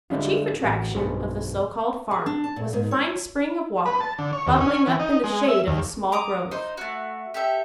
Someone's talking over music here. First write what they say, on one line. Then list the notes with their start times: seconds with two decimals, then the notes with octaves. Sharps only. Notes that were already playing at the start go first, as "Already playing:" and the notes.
The chief attraction of the so-called farm was a fine spring of water bubbling up in the shade of a small grove.
0.10 D3 G3 G#3 D4 E4 F4
0.63 A1 F#4
0.94 B1 G2 B2 C5 G#5
2.11 G#4
2.26 D4
2.44 A5
2.56 A#2
2.73 G#2
2.91 C#5
3.86 B4
4.01 A5
4.18 D3
4.33 C#5
4.47 D#2
4.60 C#4
4.74 C#4
4.87 E3
4.99 D#4
5.24 G#3
5.48 E5
5.67 D#2
6.12 A#5 D6 D#6
6.51 D#4 C5
6.77 A3 F#4
7.34 G4 A4 E5